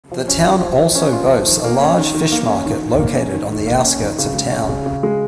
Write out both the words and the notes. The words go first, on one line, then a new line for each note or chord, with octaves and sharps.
The town also boasts a large fish market located on the outskirts of town.
F3
C#4
F4
F3
F3
C#4
F4
F3
D#3
A#3
C#4
D#3
D#3
A#3
C#4
D#3
D#3
A#3
C#4
D#3
D#3
A#3
C#4
D#3
C#3
G#3
C#4
C#3
C#3
G#3